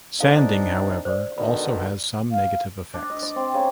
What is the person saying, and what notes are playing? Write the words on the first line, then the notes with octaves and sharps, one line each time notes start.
Sanding however also has some negative effects.
C4 D4 D#4 A4 F5
C5 D5
B2 D3 D#3 D5 B5
F5
D4
D#5
D5
C4
C#3